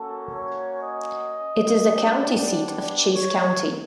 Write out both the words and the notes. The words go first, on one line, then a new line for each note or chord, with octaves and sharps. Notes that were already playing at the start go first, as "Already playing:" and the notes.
It is the county seat of Chase County.
Already playing: A#3 C#4 F#4 A4
C#5
D#5
B3 D4 G4
D5
D5
C#5